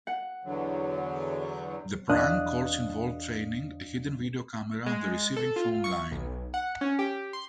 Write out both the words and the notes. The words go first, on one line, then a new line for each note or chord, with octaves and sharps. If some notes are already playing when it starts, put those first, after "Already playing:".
The prank calls involved training a hidden video camera on the receiving phone line.
F#5
E2 D3 F#3
E2 D4 D#5 F5 D#6 F#6
G#3
A4
F4
C#6
B1
F#5
C#4
G4
C6